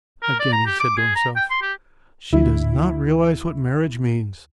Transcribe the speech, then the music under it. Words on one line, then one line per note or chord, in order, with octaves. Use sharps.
Again he said to himself, "She does not realize what marriage means!"
A#4
D5
A#5
G4
D6
G#4
A#5
G5
C6
G4
D2 E4